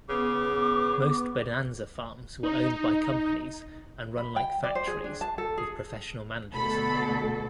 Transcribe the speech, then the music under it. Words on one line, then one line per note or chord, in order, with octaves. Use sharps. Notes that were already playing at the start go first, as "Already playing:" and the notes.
Most bonanza farms were owned by companies and run like factories, with professional managers.
C#3 B3 D6
D#4
B5
G5
D5
C5
G#4
D4
A5
A4
G#4
D2 B2 A4 B5